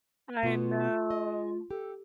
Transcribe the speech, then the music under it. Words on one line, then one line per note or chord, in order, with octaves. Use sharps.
I know.
B2 B3 F4
D#5
G4 A4